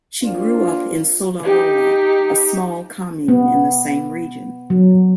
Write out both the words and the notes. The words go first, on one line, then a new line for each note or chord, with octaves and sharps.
She grew up in Solarolo, a small "comune" in the same region.
A#3 C4 D4 F4
D#4 G4
B3
F#3